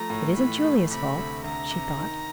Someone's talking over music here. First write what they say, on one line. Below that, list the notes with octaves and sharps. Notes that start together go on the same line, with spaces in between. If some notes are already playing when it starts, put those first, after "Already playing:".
"It isn't Julia's fault," she thought.
Already playing: F3 A3 A#5
A2
E3 B5
A3
C3 B5
D2
D2 A#5
C3
D#3